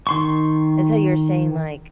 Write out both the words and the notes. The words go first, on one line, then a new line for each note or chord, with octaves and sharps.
And so you're saying, like
D#3 C6 C#6